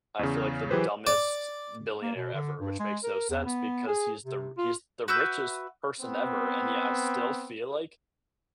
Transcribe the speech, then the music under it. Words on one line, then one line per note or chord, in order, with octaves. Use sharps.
I feel, like, the dumbest billionaire ever. Which makes no sense because he is the r he is the richest person ever, and yeah, I still feel, like,
E2 C#3
E3 F#3 G4 G#4 B4 C5
D5
A#3
B2
D3
G2
G#3
A#4
E2
B3
G#4
C3
F4
F#4 B4 E5 G6
B3 C4